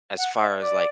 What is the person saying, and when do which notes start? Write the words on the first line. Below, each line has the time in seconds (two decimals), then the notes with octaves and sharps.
as far as, like,
0.18 F#5
0.39 E5
0.60 D5